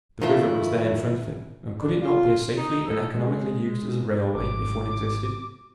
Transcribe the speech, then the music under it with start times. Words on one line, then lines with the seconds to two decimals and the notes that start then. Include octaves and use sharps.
The river was there in front of him, and could it not be as safely and economically used as a railway if one existed?
0.21 D#3 F3 F#3 A3 E4 F4
1.80 D4
2.02 F4
2.57 D#4
2.86 A4
3.14 G#3
4.34 G#1 D6